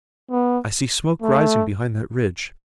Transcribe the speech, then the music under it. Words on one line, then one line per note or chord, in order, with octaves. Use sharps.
"I see smoke rising behind that ridge."
B3
A3